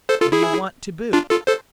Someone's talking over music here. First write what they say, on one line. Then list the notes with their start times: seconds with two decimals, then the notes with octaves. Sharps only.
What do you want to boot?'
0.09 A4 C5
0.21 F4 A4
0.32 E4 G#4
1.13 D4 F4
1.30 F4 A4
1.47 A4 C5